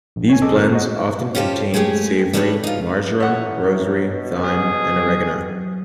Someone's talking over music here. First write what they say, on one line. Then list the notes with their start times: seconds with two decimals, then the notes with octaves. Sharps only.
These blends often contain savory, marjoram, rosemary, thyme, and oregano.
0.16 A#1
0.30 C#5 G#5
0.42 G#4 A4 D#5 D6
0.55 G1 A#2 A#4 C#5 F6
0.73 F#4 D#5
1.35 C#4 F4 G4 A4 C5
1.74 G#3 A3 B3 G4 G#4
2.33 G3 A3 D4 G#4 B4 C#5
2.64 D#4 F4
3.20 A1 C#5 E5 F#5 C#6 D#6
4.01 B2
4.44 G#4
4.95 F#3 G4